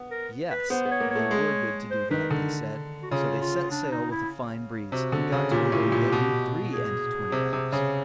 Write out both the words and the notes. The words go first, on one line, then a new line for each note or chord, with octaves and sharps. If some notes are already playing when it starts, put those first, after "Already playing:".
Yes! they were good to do that, they said, so they set sail with a fine breeze, and got to Arabia in three-and-twenty hours.
Already playing: B3
A#4
B4
B3 C5
B3
C#5
A#3
C#5
A3
G#3
C5
D#3 B4
D3
F#4
C#3 F4
F4
D4
D#4
E4
C3 F#4
D3
C#3
A#2 G4
A2
A#2
B2
G#4
C3
C3
C#3